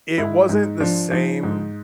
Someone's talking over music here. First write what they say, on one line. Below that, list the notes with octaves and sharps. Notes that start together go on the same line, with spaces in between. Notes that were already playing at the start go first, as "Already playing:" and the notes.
it wasn't the same,
G#2 E4
G#2 D#4
F3 D4
F3 D#4
G#2